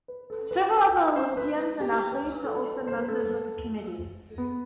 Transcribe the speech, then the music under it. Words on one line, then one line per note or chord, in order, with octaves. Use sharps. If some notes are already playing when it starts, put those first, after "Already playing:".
Several other Olympians and athletes are also members of the Committee.
B4
A4
B4
C5
B4
G4
B4
A4
C5
B4
A4
B3